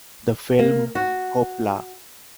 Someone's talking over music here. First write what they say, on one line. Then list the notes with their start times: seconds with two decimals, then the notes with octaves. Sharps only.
The film Hoppla!
0.59 A#3
0.95 F#4